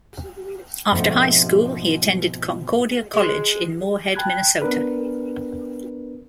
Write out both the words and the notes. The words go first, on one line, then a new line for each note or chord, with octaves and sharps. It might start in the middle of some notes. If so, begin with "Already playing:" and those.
After high school he attended Concordia College in Moorhead, Minnesota.
G#2 B2 F3 A3 C4 D4
G#3
G5 A5 B5 F#6 G#6
B3 D4 A#4 B4